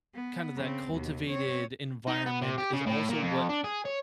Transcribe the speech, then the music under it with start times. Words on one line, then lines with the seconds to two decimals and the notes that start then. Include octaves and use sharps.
kind of that cultivated environment is also what,
0.14 B3
0.56 C#3 C4
0.92 D#2 B2
1.29 C4 C#5
2.08 D#4
2.26 B3
2.42 C3
2.58 G4
2.73 C#3
2.86 A2
3.10 A#2
3.23 F2
3.49 D4
3.64 G#4
3.85 C#5